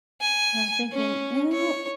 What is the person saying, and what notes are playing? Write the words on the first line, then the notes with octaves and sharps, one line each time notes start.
and I'm thinking, "Ew!"
G#5
C#4
C#5